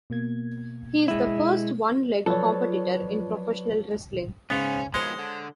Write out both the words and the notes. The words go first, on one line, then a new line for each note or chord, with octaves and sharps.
He is the first one-legged competitor in professional wrestling.
B2 A#3 G#6
G#3 E4
F3 F#3 A4 B4 C#5 D5
G#2 C#3 B3 C#4
B2 D#3 F3 G#3 C5 C#5
D3